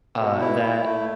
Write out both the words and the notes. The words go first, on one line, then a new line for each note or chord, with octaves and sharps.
Uh, that
B2
E4
E4
A3